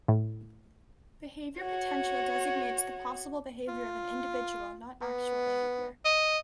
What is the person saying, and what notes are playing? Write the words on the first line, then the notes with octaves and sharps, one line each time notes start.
Behavior potential designates the possible behavior of an individual, not actual behavior.
A2
F#4 C#5
F4
B3
D#5